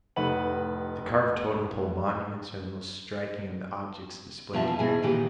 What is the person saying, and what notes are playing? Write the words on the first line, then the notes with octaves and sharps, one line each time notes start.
The carved totem-pole monuments are the most striking of the objects displayed here.
F1 A2 D#4 B4 F#5 F#7
E2 B2 F3 E5 A5
B2 E4 G#4 G#5
A#2 D#3 E3 G4